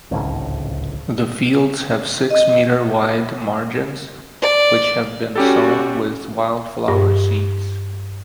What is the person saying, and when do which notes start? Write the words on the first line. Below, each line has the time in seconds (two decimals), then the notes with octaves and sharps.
The fields have six metre wide margins which have been sown with wildflower seeds.
0.11 D1 G#1 C#2
2.30 D#5
4.42 D5
5.36 G3 C#4 F#4 G4 A4
6.88 G2